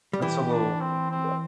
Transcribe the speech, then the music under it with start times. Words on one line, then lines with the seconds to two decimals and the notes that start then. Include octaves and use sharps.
That's a little yeah.
0.13 G3
0.21 E3 G4
0.51 D4
0.81 C4
1.10 C4